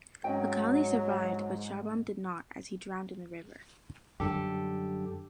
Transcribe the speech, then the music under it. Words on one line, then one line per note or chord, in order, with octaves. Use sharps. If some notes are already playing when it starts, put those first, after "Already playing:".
Akaili survived but Shabram did not as he drowned in the river.
G#2 F#3 C#4 D#5 G5
F#2 D3 G3 G4 A4